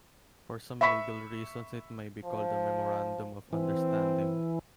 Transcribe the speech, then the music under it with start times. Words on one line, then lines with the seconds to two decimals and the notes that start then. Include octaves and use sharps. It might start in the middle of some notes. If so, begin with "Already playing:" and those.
For some legal reasons it may be called a Memorandum of Understanding.
0.81 E5 B5 C#6 B6
2.25 F3
3.53 E3 C4